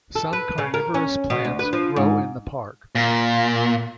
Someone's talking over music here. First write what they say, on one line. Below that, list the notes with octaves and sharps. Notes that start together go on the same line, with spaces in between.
Some carnivorous plants grow in the park.
A4
B4
C#3
A#4
C#4
B2
D2
B4
F3
G#2
A#2